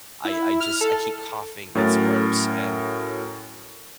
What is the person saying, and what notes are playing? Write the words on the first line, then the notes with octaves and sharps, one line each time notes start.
I I just I keep coughing. It's gross. And
E4
F6
A4
A2 F#3 C#4 A#4 A6